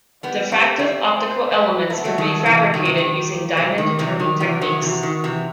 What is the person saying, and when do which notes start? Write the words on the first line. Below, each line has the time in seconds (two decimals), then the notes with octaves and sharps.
Diffractive optical elements can be fabricated using diamond turning techniques.
0.23 G3 B3 G4
0.51 A3 C4
0.79 A3 C4
1.07 C5
1.49 B4
1.90 A3 A4
1.98 B3
2.05 F#3 A3
2.18 D#3 F#3
2.46 C3 E3
2.74 D#3 G4
2.85 C3
2.98 D#3
3.57 C3
3.78 D#3
3.99 C3 E3
4.19 D#3
4.40 C3 E3 F#4
4.61 D#3 F#3
4.82 C3 E3 F#4
5.03 D#3
5.24 C3 E3